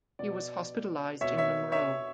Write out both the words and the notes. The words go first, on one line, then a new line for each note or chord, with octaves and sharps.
He was hospitalized in Monroe.
B2 D5
B2 C#5 E5
C#5 E5
C#5 E5